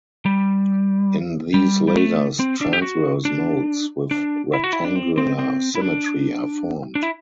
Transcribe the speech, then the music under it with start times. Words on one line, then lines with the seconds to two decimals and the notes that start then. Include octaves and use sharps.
In these lasers, transverse modes with rectangular symmetry are formed.
0.26 G3
1.54 G3
1.88 G3
1.97 A3
2.40 C4
2.61 D4
2.73 G4
2.82 F#4
3.25 D4
4.11 D4
4.53 E4
4.64 F#4
4.73 E4
4.85 D4
4.96 C4
5.18 C4
5.39 C4
5.75 E4
5.81 D4
6.95 D4
7.03 E4